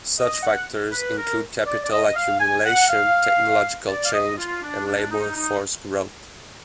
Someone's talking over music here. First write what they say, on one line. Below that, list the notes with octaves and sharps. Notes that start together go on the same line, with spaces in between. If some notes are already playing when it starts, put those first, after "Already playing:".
Such factors include capital accumulation, technological change and labour force growth.
D#5
F#5
B4
A#4
D5
D5
D#5
F5
G#5
F#5
F5
D5
F5
D#5
F4
D4
D4
D#4
D#4